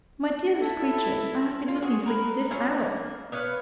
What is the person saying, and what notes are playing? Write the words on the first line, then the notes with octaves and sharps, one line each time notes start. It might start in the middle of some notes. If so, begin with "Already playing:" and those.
My dearest creature, I have been looking for you this hour.
E4 A4
F4
F#4 G#4
A#4 B4
F#3 C#4 F4
A#3
B3 B4 C#5 F5